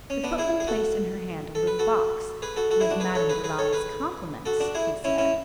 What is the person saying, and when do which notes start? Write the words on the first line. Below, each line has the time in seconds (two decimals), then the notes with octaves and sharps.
The footman placed in her hand a little box "with Madame du Launy's compliments," he said.
0.10 C#4
0.24 B3 D4
0.38 E4 G#4
0.60 G#4
0.67 F#4 A4
1.55 A4
1.67 B4
1.79 F#4 A4
2.42 G#4 B4
2.56 F#4 A4
2.71 F#4 A4
2.80 E4 G#4
2.90 D4 F#4
3.00 G#4 B4
3.15 A4 C#5
3.29 G#4 B4
3.44 G#4 B4
3.59 A4 C#5
3.73 G#4 B4
4.46 F#4 A4
4.60 D4 F#4
4.75 E4 G#4
5.04 C#4 E4
5.18 C#4 E4